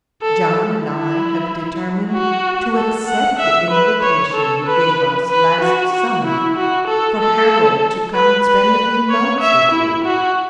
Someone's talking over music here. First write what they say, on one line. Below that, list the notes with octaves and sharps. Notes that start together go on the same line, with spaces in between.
John and I have determined to accept the invitation you gave us last summer for Harold to come and spend a few months with you.
A4
E4
F#4
A4
F#5
E5
B4
C#5
A4
B4
B4
F#4
F#4
E4
F#4
A4
A4
B4
B4
C#5
E5
E4
F#4